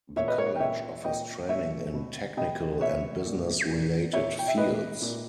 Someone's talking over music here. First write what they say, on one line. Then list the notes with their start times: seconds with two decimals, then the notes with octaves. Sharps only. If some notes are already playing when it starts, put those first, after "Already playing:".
The college offers training in technical and business-related fields.
0.16 A#2 C#5 E5
0.28 B4 D#5
0.38 A#4 C#5
0.56 G5
0.60 A#2 C#5 E5
1.04 A#2 D#5 G5
1.49 A#2 C#5 E5
1.94 B2
2.37 B2 D#5 G5
2.81 B2 C#5 E5
3.26 A#2
3.69 A#2
4.13 A#2 C#5 E5
4.39 G5
4.48 E5
4.57 A#2 B4 D#5
5.02 A#2